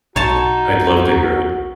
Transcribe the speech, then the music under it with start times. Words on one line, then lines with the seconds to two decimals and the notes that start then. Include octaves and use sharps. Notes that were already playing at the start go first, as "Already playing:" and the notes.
I'd love to hear it.
0.16 B1 D#4 F#4 C#5 A5